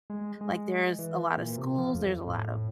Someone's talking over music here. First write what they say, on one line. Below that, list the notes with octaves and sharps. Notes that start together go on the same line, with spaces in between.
Like, there's a lot of schools, there's a lot of
G#3
G#3
E3
A#2
C3
F3
F2
A2